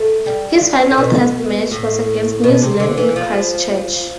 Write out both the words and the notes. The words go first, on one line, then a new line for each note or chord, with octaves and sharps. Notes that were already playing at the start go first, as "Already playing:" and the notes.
His final Test match was against New Zealand in Christchurch.
Already playing: A3
G3
A2
B2
A2
B2
C3
D3
E3
F3